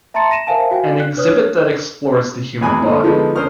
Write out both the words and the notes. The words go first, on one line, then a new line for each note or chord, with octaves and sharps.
An exhibit that explores the human body.
E5 A5 A#5 C6 A6 C#7
A#6 D#7 E7
A#4 C5 E5 F5 G#5 A5
F#4 F5 G5 G#5
F#6
D4 B4 C#5 D#6 F6 F#6
G#1 E2 G#5 B5 D#6
A#2 D3
D3 F3 G#3 B3 D#4
D3 C#4 A#4 C5 D#6 F6